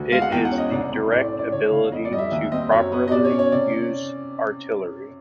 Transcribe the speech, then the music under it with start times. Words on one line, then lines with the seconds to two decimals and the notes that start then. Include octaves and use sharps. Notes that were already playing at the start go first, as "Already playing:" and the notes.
It is the direct ability to properly use artillery.
Already playing: D2
0.12 G#3 F5
0.22 F#5
0.32 E2 G5
0.45 F#5
0.52 C#4
0.58 D#5
0.71 C2 D5
0.92 C4
1.12 A2 D5
1.24 D5
1.32 C#4
1.39 D5
1.52 D3 C#5
1.72 D3 F5
1.92 F2 D#5
2.05 D5
2.11 G3 D#5
2.18 E5
2.31 D#2 E5
2.52 C4 D#5
2.72 F#2 C#5
2.92 B3
3.08 D#5
3.11 B2 D5
3.25 C#5
3.31 C#4
3.39 C#5
3.52 C3 D5
3.72 C#4